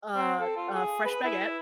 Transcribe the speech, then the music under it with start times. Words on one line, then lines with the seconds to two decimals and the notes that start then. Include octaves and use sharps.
a a fresh baguette,
0.16 C4
0.40 A4
0.56 F4
0.74 G#4
1.05 B4
1.24 E4